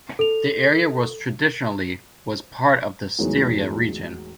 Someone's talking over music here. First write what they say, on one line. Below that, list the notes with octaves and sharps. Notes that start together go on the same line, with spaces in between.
The area was traditionally was part of the Styria region.
A4 F7
E2 A2 D#3 E3 F#3 G#3